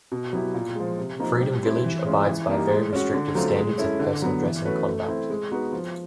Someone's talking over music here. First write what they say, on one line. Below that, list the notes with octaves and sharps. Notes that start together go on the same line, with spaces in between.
Freedom Village abides by very restrictive standards of personal dress and conduct.
B2
F#3 B3 E4 G4
A#2
F3 G#3
C3
F3 A#3 D#4
G3
C4 E4
E3
G#3 C#4 F4
E3
G3 A#3 D#4
G#3
C#4 F#4
D3
F#3 A3 C4 F4
G#3
C#4 E4 A4
D3
F#3 B3
E3
A3 C#4 F#4 B4
A3
C4 E4
G#3
B3 D#4 F#4 B4
F3